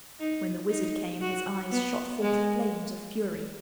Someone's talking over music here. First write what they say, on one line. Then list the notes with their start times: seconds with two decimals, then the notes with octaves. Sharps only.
When the wizard came, his eyes shot forth flames of fury.
0.20 D#4
0.70 D#4
1.21 F#4
1.72 B3
2.22 G#3